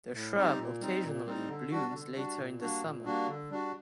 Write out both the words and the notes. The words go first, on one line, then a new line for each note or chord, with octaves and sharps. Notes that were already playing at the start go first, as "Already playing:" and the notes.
The shrub occasionally blooms later in the summer.
A2
G3 C4 D#4 G4
A#2
G3 C4 D#4
A#2
G3 C4 D#4
D3
G3 D4 F#4
D3
G3 D4 F#4
A#2
G3 A#3 D4 F#4
A#2
G3 A#3 D4 F#4
D3
G3 D4 F#4